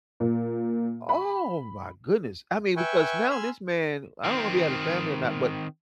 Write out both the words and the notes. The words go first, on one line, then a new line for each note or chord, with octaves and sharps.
Oh my goodness. I mean, because now this man I don't know if he had a family or not, but
A#2
B5
B4 E5 G5 G#5 C#6
G#5 B5 C6 E6 F6
D#3 C4